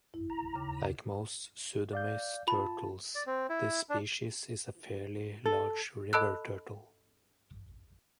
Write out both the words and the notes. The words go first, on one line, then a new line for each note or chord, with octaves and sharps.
Like most "Pseudemys" turtles, this species is a fairly large river turtle.
E4
A#5
D#2 C#3 D6
D5 F5 G6
F4 A5 B5
D5
C4
E4
D4
A4
A4 D#5 A5 B5 E6 F#6